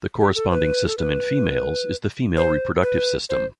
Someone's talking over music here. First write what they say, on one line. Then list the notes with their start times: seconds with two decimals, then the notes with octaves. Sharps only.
The corresponding system in females is the female reproductive system.
0.20 G4
0.36 A4
0.51 B4
0.87 A4
0.98 B4
2.37 C5
2.83 B4
3.29 C5